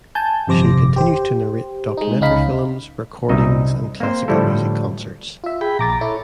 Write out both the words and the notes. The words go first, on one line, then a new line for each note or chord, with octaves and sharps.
She continues to narrate documentary films, recordings, and classical music concerts.
G#5 A5 G6
G1 F2 C3 C5 D6 A#6
G4 C5
G#3 D#4
C#2 C#4 D#4 F5 B5
C2 F#2 D#4 D#5 E5
A#3 C4 C5
A2 D3 F3 G3 E4 A4
F4 E5
G#4 G5 B5
A#1 A#5 D6 A6
E4 A4 C#5